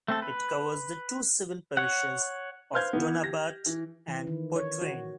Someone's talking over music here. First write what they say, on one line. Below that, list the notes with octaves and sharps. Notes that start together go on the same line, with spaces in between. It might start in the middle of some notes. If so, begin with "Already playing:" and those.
It covers the two civil parishes of Donabate and Portrane.
A3 C4 A4
B4
C#5 F#5
B4 C5 F5 F6 G6 G#6
E3 B3
G4 A#6
E3
E3
D#3
C#5
F#4